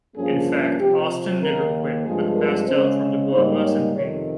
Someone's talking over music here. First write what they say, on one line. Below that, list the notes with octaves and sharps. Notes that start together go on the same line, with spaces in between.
In fact, Austin never quit, but passed out from the blood loss and pain.
G2 F3 A#3 C#4 G#4
C3 F3 C4 G4
D#2 D#3 A#3 A#4
G2 F3 G#3 C4 G#4
A#4
C#3 G#3 C4 C5
G#2 G3 A#3 D#4 C5
C#5
F2 C3 D#3 C#5